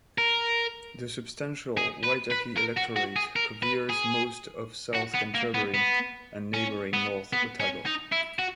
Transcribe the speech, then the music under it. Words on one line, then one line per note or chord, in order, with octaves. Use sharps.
The substantial Waitaki electorate coveres most of South Canterbury and neighbouring North Otago.
A#4
G#4
B4
B4
A#4
F#4
F#4
G#4
A#4
B4
G#4
F#4
B3
A#3
B3
B3
C#4
B3
B3
C#4
D#4
E4
F#4